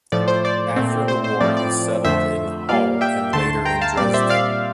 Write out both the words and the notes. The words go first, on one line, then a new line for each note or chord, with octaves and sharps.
After the war he settled in Halle and later in Dresden.
A2 F3 A3 D5
C5
D5
A#2 A3 C4
C5
C5
A2 F3 C4 D5
D5
F2 D3 F3 A3 C5 E5
A#2 G3 A#3 D5 F5
E5 G5
D2 D3 A3 A5 C6
G5 A#5
F5 A5
A#2 G3 C4 D5
C5 E5
D5 F5